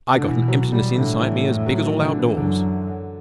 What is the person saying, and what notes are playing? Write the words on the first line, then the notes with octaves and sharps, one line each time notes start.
I got an emptiness inside me as big as all outdoors.
D3
B2 E3
F#3
G3
A2 D3
E3
F#3
E3
D3
E3
F#2 D3